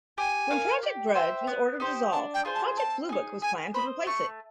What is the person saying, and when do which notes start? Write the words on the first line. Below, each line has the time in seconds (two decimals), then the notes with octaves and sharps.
When Project Grudge was ordered dissolved, Project Blue Book was planned to replace it.
0.18 G4 G#5
0.51 A#4 C#5 F5
0.83 G4
1.15 C5 E5 G5
1.47 B3
1.80 D#4 G4 C5
2.12 D4 A5
2.34 G5
2.45 F4 G#4 C5
2.55 A5
2.77 C4 A5
3.09 D#4 G#4
3.42 G#4 G#5
3.74 C5 D#5 B5
4.07 A3 C#6